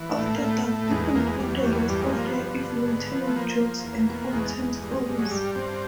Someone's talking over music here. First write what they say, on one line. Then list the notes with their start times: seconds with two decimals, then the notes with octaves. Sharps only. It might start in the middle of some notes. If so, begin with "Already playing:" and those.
After dark, people spent the rest of the evening telling jokes and old-time stories.
Already playing: E3
0.09 A3
0.18 A2
0.26 A3
0.35 A#3
0.42 A2 A3
0.66 A2
0.91 E2 G#3
1.03 G#3
1.15 E2 A#3
1.28 G#3
1.39 E2 G3
1.52 F#3
1.64 E2 G3
1.76 F#3
1.89 G2 G3
2.01 G#3
2.12 F3 A#3
2.25 B3
2.38 G2
2.62 D3
2.86 G#2
3.11 F3
3.27 A3
3.36 F3 A#3
3.60 F3
3.84 E2
4.08 B2
4.33 E2 G#3
4.58 E2
4.81 G2
5.07 G2
5.19 F#3
5.31 G2 G3
5.55 G2 C4